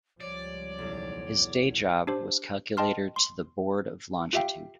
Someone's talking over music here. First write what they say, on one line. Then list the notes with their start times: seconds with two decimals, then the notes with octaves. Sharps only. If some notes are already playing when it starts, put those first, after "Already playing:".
His day job was Calculator to the Board of Longitude.
0.20 C#2 F3 G3 C#5 D5
0.78 B1 E2
2.07 D4 G4 C5
2.77 D#5 G5 A5 C6 F6
3.16 C6
4.33 F4 G4 E5 F5 G5